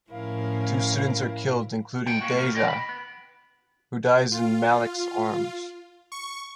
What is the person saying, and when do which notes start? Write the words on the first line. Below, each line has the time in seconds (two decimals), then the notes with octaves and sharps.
Two students are killed, including Deja, who dies in Malik's arms.
0.11 A2 F3 C#4 E4 A#4 F5
2.06 G#3 F#5 G5
2.21 A2 A#3 F#4
2.37 D#2 A2 A#4
2.54 D3 D#5 G5
2.68 B5
2.89 B3
4.32 F4
6.12 C#6